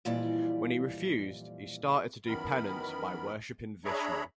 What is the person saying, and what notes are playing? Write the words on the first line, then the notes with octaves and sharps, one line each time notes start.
When he refused he started to do penance by worshipping Vishnu.
F2 A#2 E3 G3 D5
F#2 D#3 E3 B3 A#4 B5
D4 G#4 C#5 E5 A#5 B5